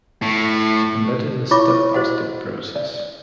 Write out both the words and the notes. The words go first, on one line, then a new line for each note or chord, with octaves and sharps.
And that is a step by step process.
A2
E4 F4 C#5 C#6 D6
F#4 C5 D#5 F#5
D5